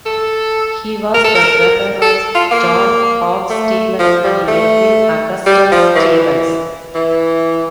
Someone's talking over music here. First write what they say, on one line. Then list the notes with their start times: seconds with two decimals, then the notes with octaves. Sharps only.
He was the brother of John Cox Stevens and Edwin Augustus Stevens.
0.06 A4
1.14 A#4
1.24 A4
1.35 A#4
2.02 A4
2.35 F4
2.51 A#3
3.50 A3
3.99 F3
4.24 G3
4.48 A3
5.46 G3
5.71 F3
5.96 E3
6.94 E3